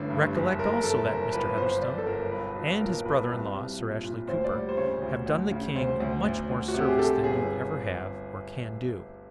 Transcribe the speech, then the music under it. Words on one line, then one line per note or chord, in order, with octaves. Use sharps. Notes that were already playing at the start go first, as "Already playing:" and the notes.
Recollect also that Mr. Heatherstone, and his brother-in-law, Sir Ashley Cooper, have done the king much more service than you ever have or can do.
Already playing: A1 G2 D3
G2
F#1
F#1 A#4
F#1 A4
F#1 A#4
G1 B4
G1 C5
G1 D5
A4
G1 A#4
B1 B4
B1
A#2 A#4
B1 B4
C2
C2
A#2
A#2
D2 C5
D5
G3
C5
C#3 C#5
D2
D2
C#3
D2 C5
D2
D2
D2
F#4
C3 G4
G#4
C3 A4
G1 G#4